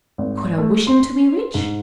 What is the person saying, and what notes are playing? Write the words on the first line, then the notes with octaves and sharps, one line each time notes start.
Could I wish him to be rich?
G#1
A3
C6
G#2